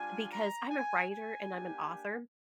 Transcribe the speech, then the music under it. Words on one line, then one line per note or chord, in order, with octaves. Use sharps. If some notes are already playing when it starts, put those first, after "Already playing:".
because I'm a writer and I'm an author,
Already playing: G3 D4 F4 G#5
A#5
G#5
G#5
A#3 D4 G4